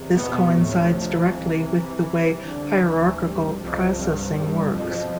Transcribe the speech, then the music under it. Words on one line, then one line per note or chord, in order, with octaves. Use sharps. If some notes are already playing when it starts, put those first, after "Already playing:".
This coincides directly with the way hierarchical processing works.
Already playing: E2 C3
B2 B3
D2 A2 C3 A3
F2 F3
C3 E3
C2
C2 C3
D3
D2 C3 E3
G2 G3
C2 F2 C3 F3
G2 G3
E2 G2 B2 G3
F2 F3